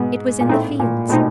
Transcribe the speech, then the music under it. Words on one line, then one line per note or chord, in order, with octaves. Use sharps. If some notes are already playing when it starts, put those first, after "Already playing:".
It was in the fields.
Already playing: G#2 B2 G#3 B3
A#2
A2 A3 C4 D#4
A#2
B2 A3 C4 D#4